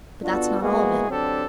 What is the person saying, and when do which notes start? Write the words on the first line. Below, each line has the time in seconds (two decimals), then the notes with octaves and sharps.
But that's not all of it.
0.24 B3 D4 F4 F#4 A4
0.60 G#3 A#3 B3 E4 F#4 G#4
1.09 D3 F#3 C4 D4 G4 A4